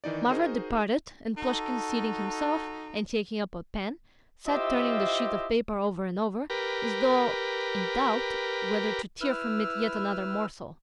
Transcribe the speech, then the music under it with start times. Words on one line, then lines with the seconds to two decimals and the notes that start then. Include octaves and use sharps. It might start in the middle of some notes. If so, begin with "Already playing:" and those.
Mavra departed, and Plushkin, seating himself, and taking up a pen, sat turning the sheet of paper over and over, as though in doubt whether to tear from it yet another morsel.
0.04 D#3 E3 D#4 D5
0.29 D#4 F#4 G#4 A#4 C5 D#5
1.37 D#4 F#4 A4
4.48 E4 F4 G4 C5 D#5 E5
6.50 G4 A#4 B4
9.21 E4 B4 E6 F6